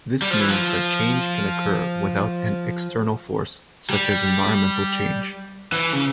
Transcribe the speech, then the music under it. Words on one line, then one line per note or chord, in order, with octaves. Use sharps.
This means that change can occur without an external force such as environmental change.
G3
F3
E3
F3
G3
E3
C#3